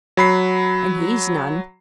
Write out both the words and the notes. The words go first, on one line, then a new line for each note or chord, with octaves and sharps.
And he's none.
F#3 B5 C7